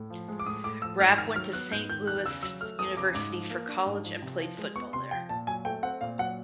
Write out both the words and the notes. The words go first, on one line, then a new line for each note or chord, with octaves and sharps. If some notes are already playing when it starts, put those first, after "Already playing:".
Rapp went to Saint Louis University for college and played football there.
Already playing: A2
F3
G#3
D6
A2 D#6
A2 D6
F3 E6
G#2 F6
D#3 F6
F#3 F6
B3 F#6
G#2 G6
D#3 G6
E2 F#6
C#3 E6
F#3 E6
A3 F6
E2 D#6
C#3 D6
G#2 D6
F3
A#3
D4
G#2
F3
C3
F3
G#3
B3 C#6
C3 C6
F3 G5
A#2 A5
F#3 G#5
A3 G5
C4 F#5
A#2 F5
F#3 F#5